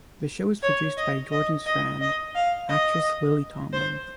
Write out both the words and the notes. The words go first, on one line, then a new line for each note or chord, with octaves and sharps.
The show is produced by Jordan's friend, actress Lily Tomlin.
C#5
D#5
D#5
D#5
D#5
F5
D#5
C5